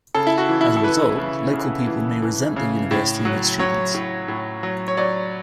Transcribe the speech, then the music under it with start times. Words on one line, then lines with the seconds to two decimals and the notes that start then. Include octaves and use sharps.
As a result, local people may resent the university and its students.
0.15 C#3 A4
0.27 E4
0.38 F#4
0.49 E3
0.61 E4
0.77 A4
0.83 E3 B4
1.18 C#3
1.53 C#3
1.87 E3
2.22 E3
2.56 C#3
2.91 A2
3.25 F#3
3.59 F#3 C#5
3.94 A2
4.28 A2
4.63 F#3
4.88 C#5
4.97 F#3 D5